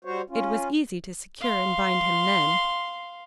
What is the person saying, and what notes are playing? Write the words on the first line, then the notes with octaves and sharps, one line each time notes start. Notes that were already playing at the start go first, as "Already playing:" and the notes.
It was easy to secure and bind him then.
G3 F#4 C5 C#5
C#4 F4
F5 C6